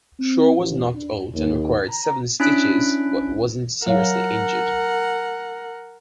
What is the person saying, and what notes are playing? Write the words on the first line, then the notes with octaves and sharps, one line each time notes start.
Shore was knocked out and required seven stitches but wasn't seriously injured.
C4
A1
D4
D#2
A#5
C#4 D4 E4 F#6 B6 D7
F#3 A#4 C#5 F5 F#5